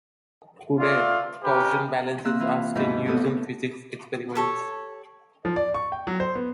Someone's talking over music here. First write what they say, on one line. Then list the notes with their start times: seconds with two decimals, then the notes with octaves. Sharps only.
Today torsion balances are still used in physics experiments.
0.79 A3 F4 D5 F5
1.43 C#4 G4 A#4 B4
2.24 C3 A#3 C4 E6 F#6
2.40 E3 E4 F4
2.75 D#2 G#2 B2 E4 B4 G6
3.06 A2 A3 B3 G4 A4 D#6
4.35 G4 A4 C#5
5.45 F3
5.56 D5
5.74 C#6
5.92 G5
6.07 F#3
6.20 C5
6.35 B3